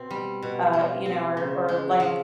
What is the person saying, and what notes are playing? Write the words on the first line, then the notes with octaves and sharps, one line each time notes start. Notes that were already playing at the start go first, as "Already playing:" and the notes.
uh, you know, or or, like,
Already playing: B2 C4
G3
B2
F3
C4
C#3
G#3
F3